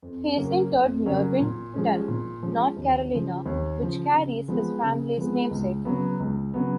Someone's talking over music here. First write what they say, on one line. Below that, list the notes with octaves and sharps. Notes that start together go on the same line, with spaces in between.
He is interred near Winton, North Carolina, which carries his family's namesake.
F2
C#3 F#3 A#3 C#4
F2
C#3 F#3 A#3 C#4
A#2
F3 G#3 C#4
A#2
F3 G#3 C#4
D#2
C#3 F3
D#2
C#3 F3
C#3
F3 G#3 B3
C#3
F3 G#3 B3
C#2
C#3 F#3 B3
C#2
C#3 F#3 B3